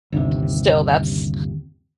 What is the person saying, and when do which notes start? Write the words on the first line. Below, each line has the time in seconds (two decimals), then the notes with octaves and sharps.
still, that's
0.12 G1 D#2 C3